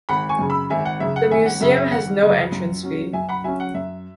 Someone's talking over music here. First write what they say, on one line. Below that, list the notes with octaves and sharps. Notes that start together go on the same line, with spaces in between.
The museum has no entrance fee.
G#1 F#5 B5
G#5 C#6
F#2 C#3
B5 E6
G#1 E5 G#5
F#5
F#2 C#3 E5
F#5
G#1 E5 G#5
F#5
F#2 C#3 E5
F#5
E5
G#1 F#5
F#2 C#3
F#2
F#3 C#4
F#2 E5 G#5
F#5 B5
F#3 C#4 E5 G#5
F#5
F#2 E5